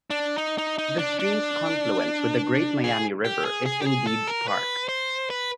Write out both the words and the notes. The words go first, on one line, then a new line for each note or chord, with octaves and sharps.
The stream's confluence with the Great Miami River is in Deeds Park.
D4
D#4
D#4
D#4
D4
D4
G#4
G4
G#4
G#4
G4
G#4
A4
A#4
B4
C5
B4